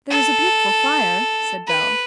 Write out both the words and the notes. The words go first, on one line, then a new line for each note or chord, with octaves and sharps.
"There's a beautiful fire," said Bell.
A4
B4